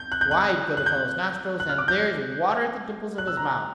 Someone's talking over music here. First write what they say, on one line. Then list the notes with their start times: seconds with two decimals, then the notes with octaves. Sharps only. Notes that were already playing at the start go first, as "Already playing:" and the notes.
Wide go the fellow's nostrils, and there's water at the dimples of his mouth!
Already playing: G6
0.12 F#6
0.21 G6
0.31 F#6
0.77 F#6
0.86 G6
1.60 F#6
1.69 F6
1.78 D6
1.88 G6
3.18 F#6
3.27 E6
3.37 A#5